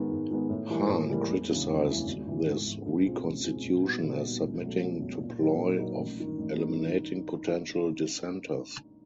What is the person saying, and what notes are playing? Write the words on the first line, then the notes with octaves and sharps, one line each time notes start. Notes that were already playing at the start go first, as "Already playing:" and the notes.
Hahn criticized this reconstitution as submitting to ploy of eliminating potential dissenters.
Already playing: G#2 D#3 G#3 B3
G#2
D#3 G#3 B3
A2
E3 G3 A#3
A2
E3 G3 A#3
E1
D2 C#3 E3
E1
D2 C#3 E3
G#1
G#2 E3
G#1
G#2 E3
C#2
B2 G#3 C4 F4
C#2
B2 G#3 C4 F4
A#2
G3 B3 D#4 F#4
A#2
G3 B3 D#4 F#4
C#2
B2 F#3 A3
C#2
B2 F#3 A3
A#2
F#3 A#3 D#4
A#2
F#3 A#3 D#4
A1
G2 D#3
A1
G2 D#3